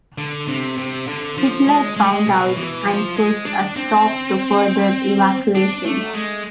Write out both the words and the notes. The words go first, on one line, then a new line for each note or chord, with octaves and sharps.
Hitler found out and put a stop to further evacuations.
D3
C3
C3
D3
F3
G#3
G#3
A3
G#3
B2
E3
F3
G#3
D4
C4
D4
A3
G#3